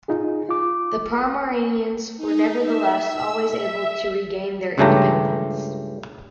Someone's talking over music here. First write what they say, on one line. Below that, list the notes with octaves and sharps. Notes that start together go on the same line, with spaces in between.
The Pomeranians were nevertheless always able to regain their independence.
D#4 F4 G#4
F4 D6
D#4
E5
E6
E5
C#2 G2 C#3 A3 G4 A#5